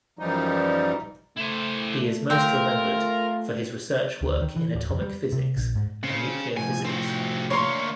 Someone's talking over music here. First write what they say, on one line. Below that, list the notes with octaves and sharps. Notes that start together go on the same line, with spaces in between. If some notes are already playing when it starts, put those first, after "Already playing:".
He is most remembered for his research work in atomic physics and nuclear physics.
F#2 E3 F3 G3 D#4
A3 E4 C5
C4 F4 A#4
D2
D#3
E3
D1
F2
G3
C3
A#1
G#2
C#3 C4
A2 C3 F3 G#5
C4 F#4
D2 A#3 C#5 C6